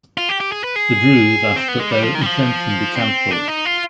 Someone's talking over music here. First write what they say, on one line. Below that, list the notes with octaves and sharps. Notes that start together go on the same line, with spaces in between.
The Druze asked that their exemption be canceled.
F4
G4
G4
G#4
B4
G#4
C4
B3
G#3
G3
F3
D#3
G3
F3
C4
D4
D#4
F4